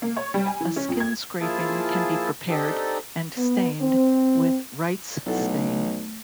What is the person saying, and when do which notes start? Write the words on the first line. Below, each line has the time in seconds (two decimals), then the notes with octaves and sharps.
A skin scraping can be prepared, and stained with Wright's stain.
0.02 A#3
0.17 C#5
0.34 G3
0.46 G#5
0.60 E3
0.76 C#4
0.88 F2
1.00 G#6
1.41 F3 A#3 E4 F4 G#4 A5
2.49 C4 D4 D#4 G4 A4
3.37 B3
3.81 C4
5.26 B1 E4 A4 F#5
5.38 A3